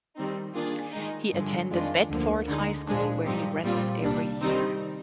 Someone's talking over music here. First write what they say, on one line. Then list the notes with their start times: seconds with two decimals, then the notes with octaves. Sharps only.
He attended Bedford High School where he wrestled every year.
0.16 D#3 G3 C4 D#4
0.55 D#3 A#3 D4 F4 G#4
0.93 D#3 G#3 D#4
1.32 G2 D3 F3 G#3
1.71 F2 D#3 G#3 D4 F4
2.10 D2 D3 F3 A#3
2.48 D3 G#3 D#4
2.87 A#2 F3 G#3 D4
3.25 G2 F3 C4 D#4 G4
3.64 A#2 G3 C4 F4
4.03 C2 A#2 G3 D4
4.42 D#3 G3 C4 D#4